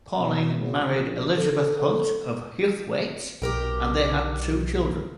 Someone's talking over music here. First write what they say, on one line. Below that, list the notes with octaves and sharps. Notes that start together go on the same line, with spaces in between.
Paling married Elizabeth Hunt of Huthwaite, and they had two children.
B2
G#1
A#1
A4
A4
B1 G4 A#4 G5